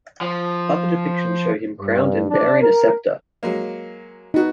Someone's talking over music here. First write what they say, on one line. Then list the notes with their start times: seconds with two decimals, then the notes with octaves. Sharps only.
Other depictions show him crowned and bearing a scepter.
0.21 F3
1.80 G2
2.30 D4
2.61 A#4
3.43 F#3 G#3 A#3
4.34 B3 D#4 F#4